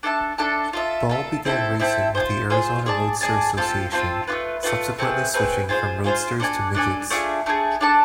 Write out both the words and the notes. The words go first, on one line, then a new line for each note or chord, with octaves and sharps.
Ball began racing with the Arizona Roadster Association, subsequently switching from roadsters to midgets.
D4 A4 E5 A5
D4 A4 E5 A5
F4 A4 E5
F4 A4 E5
C4 E4 A4 E5
C4 E4 A4 E5
G#4 C5
F4
F4 G#4 C5
G#4 D5 A5
G#4 D5 A5
C4 F4 A4
C4 F4 A4
A3 D4 F4 B4
A3 D4 F4 B4
A3 C4 G#4 B4
A3 C4 G#4 B4
F4 G#4 C5 F5
F4 G#4 C5 F5
D4 A4 D5 G#5
D4 A4 D5 G#5
A3 D4 F4 G#4
A3 D4 F4 G#4
D4 A4 D5 A5